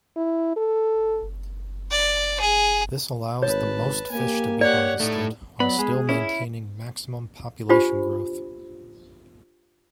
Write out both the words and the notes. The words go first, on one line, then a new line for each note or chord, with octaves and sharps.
This allows the most fish to be harvested while still maintaining maximum population growth.
E4
A4
D5
G#4
G#1 B4 C#5 A5
A#3 G4 G#5
G4 C#5 D5 F#5
A2 A3 D#4
F#3 B3 D5 B5
G#3 G#4
C#4 E4
D4 F4 G4 C5 B5